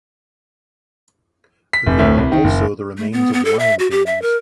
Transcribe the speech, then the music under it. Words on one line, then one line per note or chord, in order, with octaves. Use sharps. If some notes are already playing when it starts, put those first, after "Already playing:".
There are also the remains of lime kilns.
B6
F1
D2
C2
D#3
F#1
A3
B3
B3
A4
E5
F#4
G4
E5
A#4